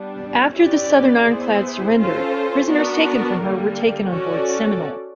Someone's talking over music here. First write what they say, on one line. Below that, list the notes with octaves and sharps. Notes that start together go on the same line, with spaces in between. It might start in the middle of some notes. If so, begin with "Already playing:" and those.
After the Southern ironclad surrendered, prisoners taken from her were taken on board "Seminole".
Already playing: G3 B3 D4
C#4 E4 G4 B4 D5
B3 E4 G#4 C5
C#4 F4 A4 C5
B3 D4 F#4 A#4
D3 G3 A#3
C#4 F#4 A4 D5